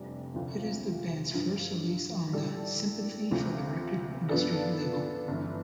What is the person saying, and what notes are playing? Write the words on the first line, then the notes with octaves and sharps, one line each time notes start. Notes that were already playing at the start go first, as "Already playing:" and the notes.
It is the band's first release on the "Sympathy for the Record Industry" label.
Already playing: F1 F2 C3 G3 D4
D2 C3 F3 C4 F4
G2 D3 F3
A2 G3 D4 A4
D2 C3 F3
G2 F3 B3 D4 A4
G1 G2 E3